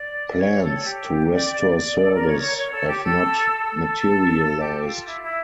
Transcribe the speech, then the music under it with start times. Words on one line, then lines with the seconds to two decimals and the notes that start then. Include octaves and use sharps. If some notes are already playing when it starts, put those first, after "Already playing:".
Plans to restore service have not materialized.
Already playing: D5
0.37 C#5
0.54 G4
0.61 A4
0.84 G4
1.31 D5
1.77 D5
2.04 A4
2.15 A#4
2.25 C#5
2.40 C#5
2.56 C#5
2.71 A4
2.87 G4
3.03 A4
3.65 A4
4.59 G4
4.82 F4
5.06 E4
5.21 E4